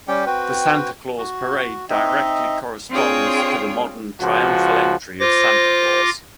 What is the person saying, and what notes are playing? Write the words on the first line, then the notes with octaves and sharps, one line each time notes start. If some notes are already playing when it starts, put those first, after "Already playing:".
The Santa Claus parade directly corresponds to the modern "triumphal entry" of Santa Claus.
G3 C#4 G4 G5
C4 F#4 B4 G5
F#4
C4 D#4 D#5 E5
C4 D4 F4 G#4 C#5 G5
C#2 F3 F#4
F4 C5 D6 A#6